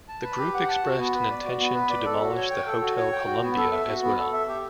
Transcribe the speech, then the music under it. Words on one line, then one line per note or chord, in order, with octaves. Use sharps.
The group expressed an intention to demolish the Hotel Columbia as well.
A5
B4
G4
F#5
A5
F#4
B3
B4
D5
F#4
B3
B4
D5
A4
F#4
C#5
G5
A4
F#4
C#5
G5
F#4
B3
A4
E5
F#4
B3
A4
E5
G4